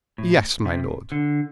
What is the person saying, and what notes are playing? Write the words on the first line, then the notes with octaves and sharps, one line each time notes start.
"Yes, my lord."
A2
C3
D3